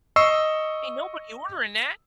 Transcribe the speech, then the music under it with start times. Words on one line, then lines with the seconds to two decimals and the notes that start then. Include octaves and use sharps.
Ain't nobody ordering that."
0.16 D#5 C#6 E6 C7